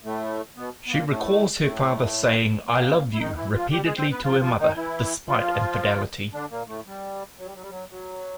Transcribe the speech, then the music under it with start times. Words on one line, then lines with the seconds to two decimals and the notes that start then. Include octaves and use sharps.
She recalls her father saying "I love you" repeatedly to her mother, despite infidelity.
0.04 A2 A3
0.57 B2 B3
0.87 B3
0.92 A#2 A#3
1.10 A2 A3
1.62 A2 A3
2.66 A#2 A#3
3.13 E4
3.19 D#3 D#4
3.36 E3 E4
3.54 F3 F4
3.71 G3 G4
3.84 G#3 G#4
3.97 C4 C5
4.10 B3 B4
4.24 F3 F4
4.41 F3 F4
4.59 D#3 D#4
4.76 E3 E4
5.29 F3 F4
6.33 D3 D4
6.51 A#2 A#3
6.68 A2 A3
6.87 G3
7.39 F#3
7.46 G3
7.55 F#3
7.62 G3
7.70 F#3
7.91 F#3